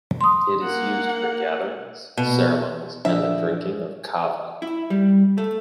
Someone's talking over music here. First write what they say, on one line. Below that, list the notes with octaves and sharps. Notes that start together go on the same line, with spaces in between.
It is used for gatherings, ceremonies and the drinking of kava.
C6 D#6
A#3 F#5
B2
A#1 E5
E4
G3
A3